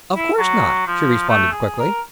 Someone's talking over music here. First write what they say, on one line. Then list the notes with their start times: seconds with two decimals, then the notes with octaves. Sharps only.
"Of course not," she responded, quickly.
0.16 E4
0.38 F#3
0.88 F3
1.29 A3
1.52 G#4
1.79 A#4